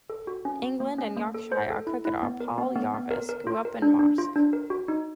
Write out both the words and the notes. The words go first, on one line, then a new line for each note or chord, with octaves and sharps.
England and Yorkshire cricketer Paul Jarvis grew up in Marske.
A4
F#4
C#4
F#4
A#3
C#4
A#3
A4
C5
A4
E4
E4
B3
A#4
B3
B3
B3
A#4
A#4
F4
A#4
D4
D4
F4
D4
A#4
F#4
D#4